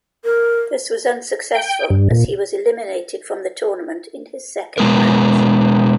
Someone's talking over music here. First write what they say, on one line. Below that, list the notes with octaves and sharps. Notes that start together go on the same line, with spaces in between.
This was unsuccessful as he was eliminated from the tournament in his second match.
A#4
G5
G2
A#2
B2 G#3 B3 A#4